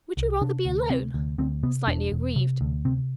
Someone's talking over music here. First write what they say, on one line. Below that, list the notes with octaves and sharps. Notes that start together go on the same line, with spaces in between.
"Would you rather be alone?" slightly aggrieved.
C2
C3 D4
D2
C3 C4
D2
D2 C4
C3 B3
E1 D4
E1
C3
D2
C3 C4